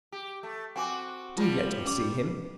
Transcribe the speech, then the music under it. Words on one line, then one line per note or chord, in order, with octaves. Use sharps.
Do let me see him.
G4
A3
C4 F#4 G5 G#5 D6
F3 G3 F4
C#4 D6